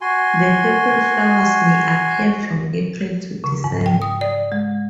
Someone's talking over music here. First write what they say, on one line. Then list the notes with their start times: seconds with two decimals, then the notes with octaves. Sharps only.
The purple flowers may appear from April to December.
0.01 F#4 G#5 C6
3.44 C#3
3.64 G#2
3.86 G5
4.02 D#6
4.21 D5
4.52 G#3